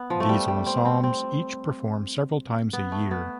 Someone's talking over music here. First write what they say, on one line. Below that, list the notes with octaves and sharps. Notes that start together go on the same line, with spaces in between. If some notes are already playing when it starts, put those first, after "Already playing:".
These ensembles each perform several times a year.
Already playing: B3
F3
A3
G3
G3
C4
C4
C4
B3
A3
B3